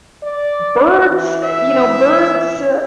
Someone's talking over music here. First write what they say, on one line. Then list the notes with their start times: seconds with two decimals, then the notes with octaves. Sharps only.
Birds, eh, you know, birds, uh,
0.23 D5
1.11 E3
1.44 E5